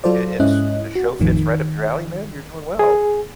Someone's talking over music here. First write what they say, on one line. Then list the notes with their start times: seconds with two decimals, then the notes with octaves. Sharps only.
I it's the show fits right up your alley, man, you're doing well."
0.04 F#3 F4 A4 C5 D5
0.40 G#2 C#4 E4 D#5 F#6
0.95 F#4
1.20 A1 F2 A2 D#3 F3
1.37 D#3
2.79 G#4